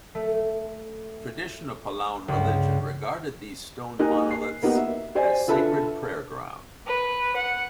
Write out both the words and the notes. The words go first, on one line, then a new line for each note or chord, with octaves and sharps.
Traditional Palaun religion regarded these stone monoliths as sacred prayer ground.
A3
C#2 G2
A#3 D#4 G4 D#5 G#5 F#6
C7
A#3 B3 D#4 G4 F#5
E5
G4 C5 D5 G#5
D3 F4 A4 B4 E5 A5
B4
F#5